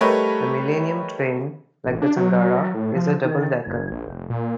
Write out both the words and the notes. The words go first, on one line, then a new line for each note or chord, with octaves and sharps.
The Millennium train, like the Tangara, is a double decker.
G3 A3 A#4 B4 C#5 D#5
A1
D4
F#3
A2
F3
D#3
F#1
A#1
F1
A#2